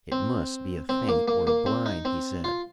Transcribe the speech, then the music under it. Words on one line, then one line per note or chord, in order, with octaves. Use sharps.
"It must be a feint or a blind," he said.
C4
C4
A#3
A#3
A#3
C4
D#4
C4
F4